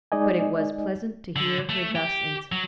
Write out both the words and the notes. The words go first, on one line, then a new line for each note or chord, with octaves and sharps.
But it was pleasant to hear her thus answer.
G#3 D#4 D5 D#5 G#5
D3
A3
G4
F#3